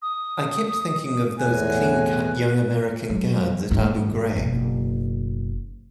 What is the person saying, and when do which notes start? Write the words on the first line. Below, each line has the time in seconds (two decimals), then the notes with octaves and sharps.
I kept thinking of those clean-cut young American guards at Abu Ghraib.
0.02 D#6
1.39 E2 A2 G#5 F#6
3.10 F#3
3.70 F#1 G#2
4.36 F#1 B2